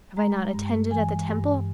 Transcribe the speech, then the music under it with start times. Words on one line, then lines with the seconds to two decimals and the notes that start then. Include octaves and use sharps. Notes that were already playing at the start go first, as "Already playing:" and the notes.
Have I not attended at the Temple?
0.17 G#3 A#5
0.54 G2
0.91 E3 G#5
1.29 G2